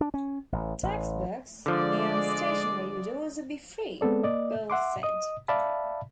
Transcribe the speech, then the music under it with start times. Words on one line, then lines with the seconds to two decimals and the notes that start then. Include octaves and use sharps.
Textbooks and stationery would also be free, Bole said.
0.01 D4
0.14 C#4
0.52 A1
0.83 A1
1.66 D3 F3 G#3 D5
4.01 G#3 B3 C4 A4 D5
4.23 A#3 D5 D#5
4.70 E5 F#5 C6 D6
5.03 D#5 D#6
5.48 D5 E5 F5 A5 B5